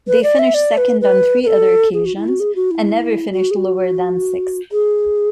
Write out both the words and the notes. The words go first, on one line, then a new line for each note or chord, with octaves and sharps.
They finished second on three other occasions, and never finished lower than sixth.
B4
D5
E5
D5
B4
B4
B4
A4
G#4
F#4
E4
F#4
G#4
F#4
E4
F#4
G#4
F#4
G#4